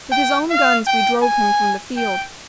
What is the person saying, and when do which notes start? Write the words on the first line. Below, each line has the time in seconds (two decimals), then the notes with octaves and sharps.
With his own guns we drove him from the field.
0.12 G5
0.50 F5
0.87 G5
1.22 G#5
1.97 G5